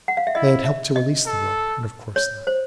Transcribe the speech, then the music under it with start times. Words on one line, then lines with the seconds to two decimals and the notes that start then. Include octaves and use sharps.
They had helped to release the rope, and of course not.
0.08 F#5
0.17 F5
0.27 E5
0.35 E4 D#5
0.65 E5
0.96 D#5
1.26 A4
2.16 C#5
2.47 C5